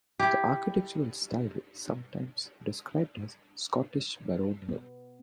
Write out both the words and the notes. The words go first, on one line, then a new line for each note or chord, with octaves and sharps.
The architectural style is sometimes described as Scottish baronial.
E4 G4
B3